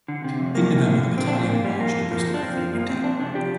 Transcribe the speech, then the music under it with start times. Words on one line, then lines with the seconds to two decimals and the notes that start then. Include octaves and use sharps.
In November the battalion marched to Bristol for the winter.
0.08 D3
0.24 C3
0.40 F2
0.55 G2 A#3
0.71 G2
0.87 D3
1.02 F2
1.17 F2 C4
1.27 D4
1.33 F2 C4
1.49 A#2 A#3
1.64 A#2 G3
1.80 F2 A#3
1.96 F2
2.11 F3 A#3
2.27 F3
2.34 D4
2.42 F3 C4
2.58 F3
2.73 F3 A#3
2.89 A#2 C4
3.04 F2 D4
3.20 C3 D4
3.35 F3 G4